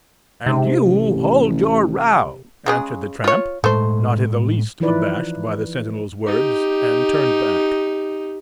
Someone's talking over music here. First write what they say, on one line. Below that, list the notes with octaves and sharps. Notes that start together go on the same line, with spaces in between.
"And you hold your row," answered the tramp, not in the least abashed by the sentinel's words, and turned back.
G#2 C3
A1
C#3 G#3 G#4
F4 C#5
A2 G#3 A3 C5
E3 F3 D#4 E4 B4 D5
D#4 G4